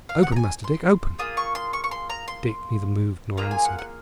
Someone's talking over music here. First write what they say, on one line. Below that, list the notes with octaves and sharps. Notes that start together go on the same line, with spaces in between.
"Open, Master Dick; open!" Dick neither moved nor answered.
F5
F#5
A#5
G#5
C6
A#3 F4 G#4 D#6
C#6
C6
C#6
C#6
C6
A#5
C6
A#3 F4 G#4 A#5
G#5
F#5
F#5